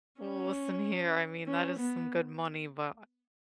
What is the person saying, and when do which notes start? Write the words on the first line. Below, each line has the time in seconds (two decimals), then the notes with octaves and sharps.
Well, listen here, I mean, that is some good money, but
0.21 C#4
1.47 C#4
1.79 B3